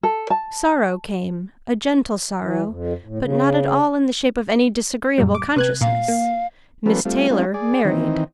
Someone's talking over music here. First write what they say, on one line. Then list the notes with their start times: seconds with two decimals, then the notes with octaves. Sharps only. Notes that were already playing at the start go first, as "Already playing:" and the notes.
Sorrow came--a gentle sorrow--but not at all in the shape of any disagreeable consciousness.--Miss Taylor married.
0.03 A4
0.30 A5
2.40 E3
2.66 F2
3.05 A2
3.19 C#3
5.18 F#2 A#2 G3
5.35 D6
5.56 C3 B4 F#6 G#6
5.81 A#2 F5
6.08 A#3
6.86 F3 G3 A#3 C#4 A4 B4
7.05 G3 A3 C4 F4
7.30 G#3 C4 C#4 D#4 F4
7.54 G#4 D5
7.85 D#3 E3 C4 D#4